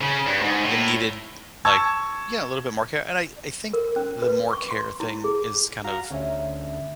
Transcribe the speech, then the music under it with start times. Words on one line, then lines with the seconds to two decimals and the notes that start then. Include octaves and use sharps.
that needed, like Yeah, a little bit more care, and I I think the more care thing is kind of,
0.01 C#3
0.26 G2
0.41 G#2
0.63 A2
1.65 A5 C#6 E6 G#6
3.73 A#4
3.96 C#4
4.22 B4
4.53 C#6
4.71 C6
5.00 E4
5.24 G#4
5.84 F#4 F5 A#5
6.11 D2 C#4 E5